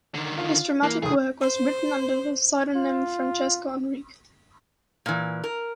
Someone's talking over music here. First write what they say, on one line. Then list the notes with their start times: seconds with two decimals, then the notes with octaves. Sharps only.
His dramatic work was written under the pseudonym Francisco Enrique.
0.14 D3 D#3
0.37 F4
0.83 E3 A#3 C7
1.03 F1 D#2 G#4 D#6
1.40 C5
2.76 F4
5.06 A#2 E3
5.44 A#4